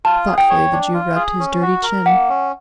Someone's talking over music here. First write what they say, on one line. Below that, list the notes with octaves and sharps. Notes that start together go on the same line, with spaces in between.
Thoughtfully the Jew rubbed his dirty chin.
F4 A5
G#4
G5
C#5
D4
F4
G#4
C#4
F#4
A#4
A#3 F#5
C#4